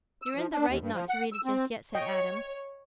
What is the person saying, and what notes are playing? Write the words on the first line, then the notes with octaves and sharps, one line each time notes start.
"You're in the right not to read it just yet," said Adam.
E6
F3
D4
D#2
G2
F3
F#5
E6
C4
C#5 D#5 G5